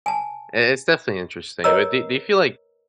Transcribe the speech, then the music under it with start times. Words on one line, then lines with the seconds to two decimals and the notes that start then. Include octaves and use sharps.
i it's definitely interesting, but do do you feel like
0.06 G#5 A5
1.64 A#4 B4 C#5 D#5 A#5 E6